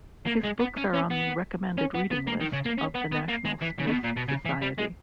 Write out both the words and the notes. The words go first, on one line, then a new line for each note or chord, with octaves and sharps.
His books are on the recommended reading list of the National Space Society.
A#3
G#3
B3
C#4
C#4
B3
C#4
B3
B3
A#3
D#3
C#3
A#3
C#4
B3
B3
A#3
G#3
E3
C#3
A#2
B2
A#2
B2
C#3
E3
G3
G#3